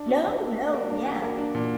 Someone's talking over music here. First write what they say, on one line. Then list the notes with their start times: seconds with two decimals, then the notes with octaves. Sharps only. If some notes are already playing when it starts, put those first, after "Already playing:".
No, no, yeah.
Already playing: D4
0.08 F#4
0.25 D4
0.41 A#3
0.57 F#4
0.74 A#3
0.90 D4
1.05 F#4
1.22 A#3
1.38 D4
1.55 A#2